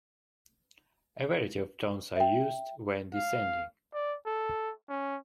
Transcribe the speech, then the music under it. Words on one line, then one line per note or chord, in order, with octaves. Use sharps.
A variety of turns are used, when descending.
E5 G5
F5
D5
A4
C#4